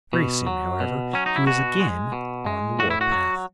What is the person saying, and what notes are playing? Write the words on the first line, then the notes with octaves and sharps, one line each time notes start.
Very soon, however, he was again on the war path.
B2
F#3
B2
F#3 C#4
D#4
E4
B2 F#4
G#3
B2
G#3
A2 F#4
E4
F#4
F#3